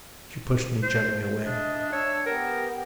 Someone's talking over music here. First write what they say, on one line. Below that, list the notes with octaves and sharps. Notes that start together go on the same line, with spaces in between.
She pushed me gently away.
C5
D4 D#5 E5
D4 C#5 E6
B3 G4 A#4